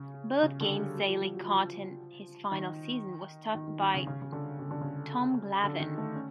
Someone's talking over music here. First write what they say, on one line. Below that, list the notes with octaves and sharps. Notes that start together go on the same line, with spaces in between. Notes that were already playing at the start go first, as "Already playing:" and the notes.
Both games Zeile caught in his final season were started by Tom Glavine.
Already playing: C#3
C#3
D3
G3
F#3
F3
G3
F#3
F3
D#3
D#3
D#3
D#3
C#3
C#3
C#3
D3
C#3
D3
C#3
D3
D#3
A3
C#4